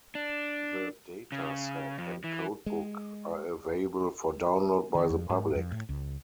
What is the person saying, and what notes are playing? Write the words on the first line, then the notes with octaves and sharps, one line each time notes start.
The dataset and codebook are available for download by the public.
D4
C#3
F2
E3
G#3
D#3
F2
G#2
F2
A2
C#2